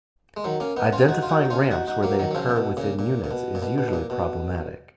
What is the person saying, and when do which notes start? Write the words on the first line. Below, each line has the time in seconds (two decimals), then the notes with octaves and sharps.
Identifying ramps where they occur within units is usually problematic.
0.37 G#3
0.44 D#3 F#3
0.60 A#3 C#4
0.76 B3 D#4
0.92 C#4 F4
1.09 D#4 F#4
1.22 F4
1.29 D#4 F#4
1.45 D#4
1.50 C#4 F4
1.71 D#4 F#4
1.88 D#4 F#4
2.03 F#3 A#3
2.19 D#3 F#3
2.31 F#3
2.35 C#3 F3
2.49 A#2
2.56 B2
2.77 A#2 C#3
2.99 A#2
3.24 A#2
3.31 B2
3.55 A#2
3.62 B2
3.78 B2
3.88 B2
3.93 A#2
4.10 B2